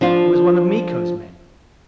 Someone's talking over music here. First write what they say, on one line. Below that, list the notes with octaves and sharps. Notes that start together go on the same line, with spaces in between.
He was one of Miko's men.
F3 D4 F4